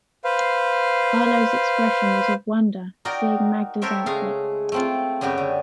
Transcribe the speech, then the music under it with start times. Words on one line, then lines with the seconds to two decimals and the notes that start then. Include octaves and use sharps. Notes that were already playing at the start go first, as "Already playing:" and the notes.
Carlo’s expression was of wonder, seeing Magda’s outfit.
0.24 B4 C5 F5
3.05 D#4 F#4 A#4 D5 G5
3.82 A4 A#4 C5 C#5 E5 G5
4.06 C#3 G#3 A3 G#4 F5
4.72 A3 C4 F4
5.21 F#2 C#3 B3 F#4 G4
5.38 D3